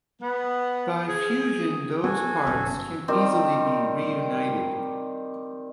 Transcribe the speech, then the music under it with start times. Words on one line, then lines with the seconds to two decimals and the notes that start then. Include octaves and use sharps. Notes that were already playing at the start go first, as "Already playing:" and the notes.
By fusion those parts can easily be reunited.
0.21 B3
1.08 G#4
2.04 B3 F#4 A4 G#5
2.47 G1 F#2 B2
3.08 D#3 G3 C4